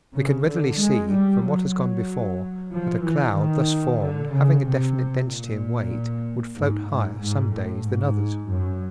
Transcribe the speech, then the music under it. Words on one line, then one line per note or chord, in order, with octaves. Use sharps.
We can readily see from what has gone before that a cloud thus formed, having a definite density and weight, would float higher some days than others.
C#3
D3
G#3
G3
F#3
F3
E3
D#3
D3
C#3
C3
A#2
G#2
G#2
G#2
A2
G#2
F#2